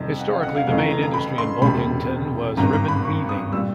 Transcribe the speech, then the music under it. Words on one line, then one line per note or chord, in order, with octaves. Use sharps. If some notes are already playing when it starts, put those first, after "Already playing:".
Historically the main industry in Bulkington was ribbon weaving.
Already playing: F2 C3 D#3 G3
F#5
F5
F#5
F5
F1 F2 C#3 E3 A3 F5
A#5
A#5
A#5
B5
C6
E1 D2 C3 B5
G#1 G2 D#3 A#5
A#5
B5
C#6
D#6
A#2 G3 E6